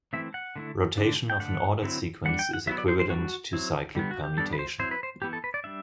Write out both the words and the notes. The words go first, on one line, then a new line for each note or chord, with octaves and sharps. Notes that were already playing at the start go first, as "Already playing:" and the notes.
Rotation of an ordered sequence is equivalent to cyclic permutation.
E3 A3 C4 E4 E5
F#5
D3 A3 E4
D3 A3 D4
G5
D3 A3 D4 F#5
D3 F#3 C4 E4
G3 D4 F#5
G5
F#5
F#3 B3 E4 E5
D5
C5
C5
E3 G3 D4 F#4
F#3 C4 E4
D3 G3 B3
F#4
G4
G3 B3 D4 A4
B4
C5
F#3 C4 E4 C5
B4
C5
E3 B3 E4 G4
A4
B4
D5
G3 D4 E5